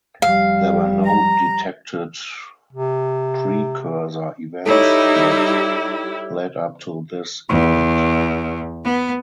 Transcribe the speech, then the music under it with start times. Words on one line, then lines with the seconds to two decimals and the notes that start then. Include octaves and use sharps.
There were no detected precursor events that led up to this event.
0.22 F1 G3 F5
1.05 A#5
2.73 C3
4.66 G3 D#4 E4 G4 A4 C#5
7.49 E2
8.84 B3